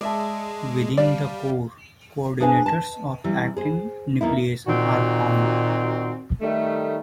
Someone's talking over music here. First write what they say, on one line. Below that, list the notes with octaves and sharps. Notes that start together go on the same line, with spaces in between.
Within the core, coordinators of actin nucleation are found.
G#3 D5 E5 A5
G3 D5 F5
D4 G#4 B4 C5 F#5 G#5
A5
C3 E3 G3
G#4 C5
E2 A#3 D#4 E4
A#2 D#3 C4 F#4
D#3 G3 A3